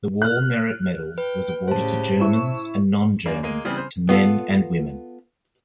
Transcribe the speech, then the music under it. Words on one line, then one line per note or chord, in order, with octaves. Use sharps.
The War Merit Medal was awarded to Germans and non-Germans, to men and women.
F6 F#6
B4 G5
A2 C#3 G4 C5 A5
E4 C#6 E6
F#2 A#3 D4
G#3 A#3 D#7
C#3 E3 G3 B3 C4 F6
C5
B3 F4 A4